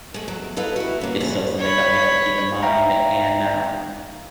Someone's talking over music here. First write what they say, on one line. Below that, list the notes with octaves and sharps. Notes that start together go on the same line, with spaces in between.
it's still something that we have to keep in mind, and, um,
G#3 A3
E2 F#3
E4 A4 B4 D#5 F5
E4 F#4
C#3 A#3
F2 A2 B3 F#4 G#4
C#5 B5
E5 F5 G5 A#5